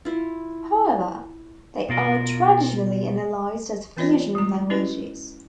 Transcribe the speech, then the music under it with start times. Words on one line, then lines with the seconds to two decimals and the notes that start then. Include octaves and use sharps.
However, they are traditionally analyzed as fusional languages.
0.05 E4 F4
1.89 B2 F4 A#4
3.97 E3 C4 F4 C#5 D#5
4.35 G#3 A#5
4.70 C#4 E4 F#4 B4 D#5